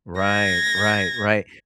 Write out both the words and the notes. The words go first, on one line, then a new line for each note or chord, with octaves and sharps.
Right, right, right.
G#6 A#6